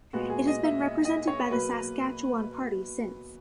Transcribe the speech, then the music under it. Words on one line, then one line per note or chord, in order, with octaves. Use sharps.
It has been represented by the Saskatchewan Party since.
A#2 G#3 B3 F#4
G#4
D#5
E5
D#5
D#5
C#5
B2 F#3 A#3 B4